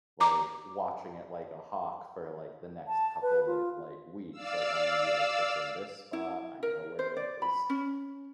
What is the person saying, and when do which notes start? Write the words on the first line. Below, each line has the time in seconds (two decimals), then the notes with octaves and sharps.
like, watching it like a hawk for, like, the next couple of, like, weeks, like, I'm gonna be like, "It's in this spot. I know where it is."
0.20 A#5 D6
2.88 A5
3.22 B4
3.47 F4
4.32 D5 F5 E6
6.13 E4
6.63 A#4
6.99 C5
7.17 D5
7.42 B5
7.70 C#4